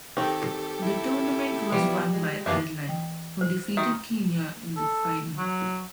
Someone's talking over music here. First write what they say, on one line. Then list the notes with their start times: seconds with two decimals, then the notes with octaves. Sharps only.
The tournament was won by Ireland who defeated Kenya in the final.
0.17 D#3 C4 G4 A4 G5
0.82 E4
1.72 F3 G3 B3
2.14 G#3
2.46 F#2 D#3 A#3 B3 D4 F4 G4 E5
2.88 E3 G5
3.41 C5
3.77 D#3 F#4 E5
4.77 A4
5.37 F#3